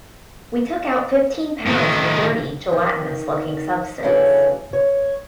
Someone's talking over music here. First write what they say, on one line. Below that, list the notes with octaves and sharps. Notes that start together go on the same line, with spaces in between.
We took out fifteen pounds of a dirty, gelatinous looking substance.
A2 D#3
D#3
C#3 E3 F#3 A3 C#4 D4
C#5